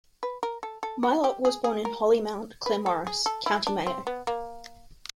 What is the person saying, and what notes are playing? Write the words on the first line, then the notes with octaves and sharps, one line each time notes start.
Mylott was born in Hollymount, Claremorris, County Mayo.
B4
A#4
A4
A4
F#4
G4
G#4
G#4
A#4
B4
A4
G#4
A4
E4
D4
C4
B3
A#3